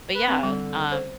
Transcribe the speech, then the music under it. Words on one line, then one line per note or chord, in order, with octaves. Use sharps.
But yeah, um
B4
C4
D3 G3
C5